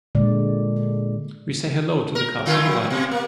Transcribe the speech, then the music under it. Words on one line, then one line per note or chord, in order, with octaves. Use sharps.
We say hello to the cars nearby.
A#2 D3 G#3 D5
A#4
D3 E4 F4
F3
B2
A#3